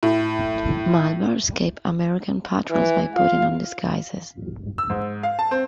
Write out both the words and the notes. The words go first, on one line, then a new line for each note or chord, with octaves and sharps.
Malvar escaped American patrols by putting on disguises.
A2
E3
F4 F5
E6
G#2
F5
A5
C4